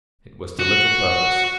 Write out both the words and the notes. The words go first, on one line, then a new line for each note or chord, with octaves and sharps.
It was to little purpose.
F#4